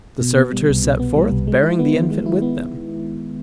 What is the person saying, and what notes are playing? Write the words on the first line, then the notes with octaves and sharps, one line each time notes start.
The servitors set forth, bearing the infant with them.
B2
B3
G3
C2
B2
B3
G3
C2
G#3
E4
B3
D#3
G#3
E4
B3